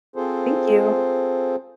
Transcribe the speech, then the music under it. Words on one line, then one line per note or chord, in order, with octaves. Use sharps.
Thank you.
C4 F4 G#4 A4 C5